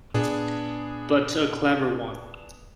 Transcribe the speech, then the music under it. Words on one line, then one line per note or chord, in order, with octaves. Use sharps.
But a clever one.
A#2 B3 D4 G#4